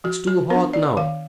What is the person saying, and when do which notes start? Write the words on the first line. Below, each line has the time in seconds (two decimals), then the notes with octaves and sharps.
It's too hot now.
0.04 F3 F#4
0.27 F#4
0.50 B3 D4 A#4
0.73 D5
0.97 D#3 F5